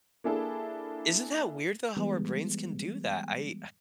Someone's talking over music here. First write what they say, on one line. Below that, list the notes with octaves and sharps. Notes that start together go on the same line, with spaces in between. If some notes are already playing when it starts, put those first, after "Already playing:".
isn't that weird, though, how our brains can do that, I
A#3 D4 E4 G#4 A4
E3 G3 G#3 B3